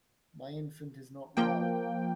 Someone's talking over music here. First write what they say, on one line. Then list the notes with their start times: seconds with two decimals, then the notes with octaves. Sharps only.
My infant is not well.
1.37 F3 A#3 G5